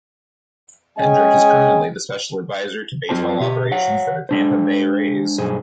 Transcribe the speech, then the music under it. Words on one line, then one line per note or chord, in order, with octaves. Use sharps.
Hendrick is currently the special advisor to baseball operations for the Tampa Bay Rays.
G#3 C#4 G#4 D#5 G5 G#5
F#2 D#3 C4 F4 C5 A5
B2 G4
C#5 F5 F#5
G#3 D4 C5
B1 G2 G#4 C5